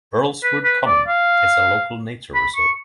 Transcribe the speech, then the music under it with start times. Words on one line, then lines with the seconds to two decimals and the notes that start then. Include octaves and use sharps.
Earlswood Common is a Local Nature Reserve.
0.43 B4
0.64 B4
0.86 D5
1.08 F5
2.35 B5
2.56 C#6